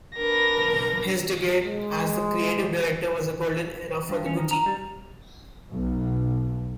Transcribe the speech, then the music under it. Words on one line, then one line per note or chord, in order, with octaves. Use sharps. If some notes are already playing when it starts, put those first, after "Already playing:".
His decade as the creative director was a "golden era" for Gucci.
D4 A#4 B4 A#6
G#3
G2
C#4
D#3
A#5
G3
B1